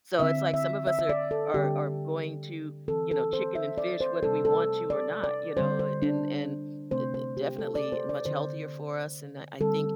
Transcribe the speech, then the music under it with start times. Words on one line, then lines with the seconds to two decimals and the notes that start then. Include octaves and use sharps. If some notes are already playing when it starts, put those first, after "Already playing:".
so, it's like, some of us are are are going to, you know, chicken and fish, whether we want to or not, you know, and and, d d definitely, much healthier for us, and, uh, I think,
0.19 D3 C4 E5
0.54 E5
0.87 E5
0.99 E5
1.09 D5
1.31 A4
1.54 D3 G3 C4 G4
2.88 E3 C4 A4
3.11 A4
3.33 C5
3.55 E5
3.78 D5
4.01 C5
4.23 C3 G3 C4 A4
4.45 A4
4.90 D5
5.24 D5
5.57 D3 G3 C4 C5
5.79 C5
6.02 D4
6.91 C3 A3 C4 C5
7.14 C5
7.37 G4
7.59 A4
7.75 D5
7.92 C5
8.09 D5
8.26 D3 C4 C5
9.60 D3 G3 C4 A4